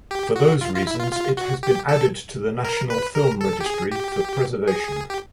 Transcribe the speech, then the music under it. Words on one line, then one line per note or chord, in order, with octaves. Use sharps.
For those reasons it has been added to the National Film Registry for preservation.
G4
F#4
F4
F4
E4
F4
F4
F#4
G4
A4
A#4
B4
A#4
A4
G4
G#4
G4
G#4
G4